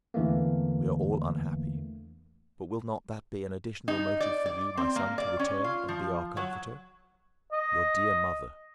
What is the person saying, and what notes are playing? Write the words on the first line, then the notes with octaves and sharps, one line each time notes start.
We are all unhappy; but will not that be an additional motive for you, my son, to return and be our comforter? Your dear mother!
E2 D3 E3 A3 A#3
D#4
D5
D5
C4
A#3
D5
C#4
F4
F3
F#3
D#5